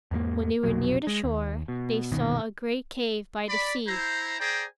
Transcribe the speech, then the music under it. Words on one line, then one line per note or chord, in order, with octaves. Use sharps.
When they were near the shore they saw a great cave by the sea.
E2 G#2 G#3 A#3
F1 B1 B2 F#3
G#3
D#2
B2
G1 C2 B2 D#3
D5 B5
E4 C5 A#5
G#4 C5 D5 G5 G#5 A#5